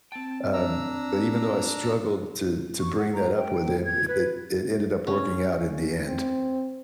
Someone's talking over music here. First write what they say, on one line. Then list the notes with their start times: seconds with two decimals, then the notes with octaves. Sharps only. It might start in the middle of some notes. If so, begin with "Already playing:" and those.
um, but even though I struggled to to bring that up with him, it it it ended up working out in the end.
0.12 C4 G5 A5
0.53 D4 A#5 E6
2.80 C#6
2.98 F#5
3.13 A#5
3.38 G5
3.85 G#6
4.08 B4
5.07 C#4
6.07 C4